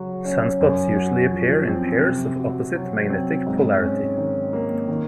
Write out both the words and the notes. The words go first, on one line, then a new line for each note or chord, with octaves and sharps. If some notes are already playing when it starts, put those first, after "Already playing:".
Sunspots usually appear in pairs of opposite magnetic polarity.
Already playing: C#3 F#3 F#4
C#4
F#2
F#4
F3
C4
C3
F#4
F#3
C4
G#2
C#4
D#3
A#3
D#3